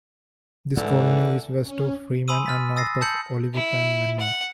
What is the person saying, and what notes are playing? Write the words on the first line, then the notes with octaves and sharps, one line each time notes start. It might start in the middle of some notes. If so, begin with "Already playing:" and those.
This colony is west of Freeman and north of Olivet and Menno.
G#2 D3 E3 G#3
C#4
G#5 B5 C6 D#6 E6 D#7
F6 A6 B6
D#6 E6 A6 A#6 C7
A5 E6 G6 C#7 F#7
E4
F#5